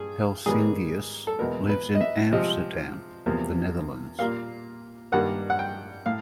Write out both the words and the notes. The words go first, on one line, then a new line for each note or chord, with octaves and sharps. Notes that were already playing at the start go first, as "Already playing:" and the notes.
Helsingius lives in Amsterdam, the Netherlands.
Already playing: G2 G#4
G#2 D#3 G3 B3 G#4
A4
E2 B2 G#3 B3 A#4
B4
D#5
E5
C3 F3 G#3 C4 D#5
E2 C3 F3 A#3
A#2 G3 A#3 F5
G2 D#3 G3 A#3 F#5
F#5
G5
A2 F5